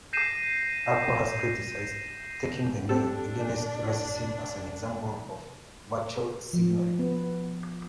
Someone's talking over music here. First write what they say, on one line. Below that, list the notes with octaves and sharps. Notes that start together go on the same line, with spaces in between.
Akua has criticised "taking the knee" against racism as an example of virtue signalling.
G6 A#6 C7 D#7 E7
C4 D4 G4 A4
F3
B3